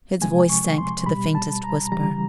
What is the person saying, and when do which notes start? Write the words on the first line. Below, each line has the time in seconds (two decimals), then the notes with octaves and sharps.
His voice sank to the faintest whisper.
0.21 C3 F3 G#3 G#5
0.50 C#6
0.78 C6
1.06 B2 G3 B5
1.35 A5
1.64 A#5
1.92 C#3 E3 G3 A#5